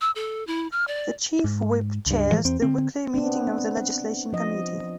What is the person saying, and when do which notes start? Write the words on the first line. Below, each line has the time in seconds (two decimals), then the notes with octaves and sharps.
The Chief Whip chairs the weekly meeting of the Legislation Committee.
0.01 E6
0.15 A4
0.47 E4
0.72 F6
0.88 D5
1.44 G#2
2.06 C#2 G2
2.32 A2 E3 F3 G#3
2.45 E2 C4
2.62 D3 C4
3.14 B3 C4 D4
4.33 F3 D#5